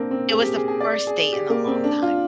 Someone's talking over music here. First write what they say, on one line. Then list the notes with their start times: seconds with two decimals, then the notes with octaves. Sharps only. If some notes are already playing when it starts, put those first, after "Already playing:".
it was the first date in a long time.
Already playing: A#3 C4 D4
0.11 C4
0.29 G#4
0.41 G4
0.55 G#4
0.68 G#4
0.80 D5
1.07 G#4
1.32 G4
1.50 A#3
1.67 C4
1.84 D4
2.02 F4